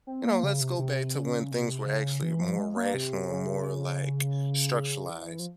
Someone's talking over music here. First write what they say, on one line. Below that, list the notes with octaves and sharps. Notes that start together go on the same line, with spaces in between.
You know, let's go back to when things were actually more rational and more, like, structuralized
C4
A#3
C#3
C3
C3
C#3
C3
C#3
E3
F3
G#3
A#3
C3
C#3
E3
F3